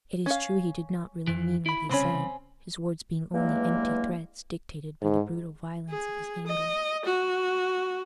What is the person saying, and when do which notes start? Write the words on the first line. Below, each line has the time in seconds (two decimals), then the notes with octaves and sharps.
It is true he did not really mean what he said, his words being only empty threats dictated by the brutal violence of his anger.
0.26 C#4 F5
1.27 F2 E3
1.66 E4 B5
1.89 C2 C#3 C4 C#4 B5
3.34 E2 G2 F#3 G#3 A#3
5.02 G#2
5.90 G#4
6.47 D#5
7.05 F#4